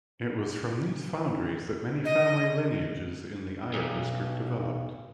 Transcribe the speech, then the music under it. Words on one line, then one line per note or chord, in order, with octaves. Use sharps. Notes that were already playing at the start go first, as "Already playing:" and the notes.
It was from these foundries that many family lineages in the Aia district developed.
D#5
B1